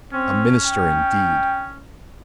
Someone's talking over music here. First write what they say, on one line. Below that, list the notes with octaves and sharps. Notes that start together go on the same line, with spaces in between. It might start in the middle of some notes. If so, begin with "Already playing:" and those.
"A minister indeed!"
C4 C#4
G5